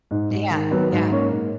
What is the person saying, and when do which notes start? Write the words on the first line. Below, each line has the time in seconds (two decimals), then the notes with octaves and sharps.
Yeah, yeah.
0.11 G#2
0.31 G#2
0.51 D#3
0.71 F#3 B3
0.92 G#2
1.12 A#3 C#4
1.32 G#2